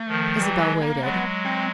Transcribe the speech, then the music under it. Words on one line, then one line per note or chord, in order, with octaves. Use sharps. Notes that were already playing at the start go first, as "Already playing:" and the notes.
Isabel waited.
Already playing: A3
D#3 F3
E3 F#3 G3
G#3
A#3
F#3 G#3 B3
C4